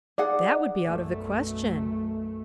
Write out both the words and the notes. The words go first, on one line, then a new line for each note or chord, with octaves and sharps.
"That would be out of the question."
D#4 G#4 D5 F#5
B1 F#2 A3